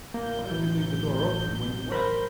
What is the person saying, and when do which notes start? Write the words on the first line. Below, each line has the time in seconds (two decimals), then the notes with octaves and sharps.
'Why did you leave the door open when you went?'
0.14 A1 F#3 A#3 G6
0.51 E3
1.92 A#4 C5 B5